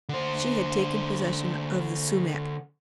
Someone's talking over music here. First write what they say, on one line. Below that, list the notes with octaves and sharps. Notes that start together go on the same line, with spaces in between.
She had taken possession of the sumac.
D3 C5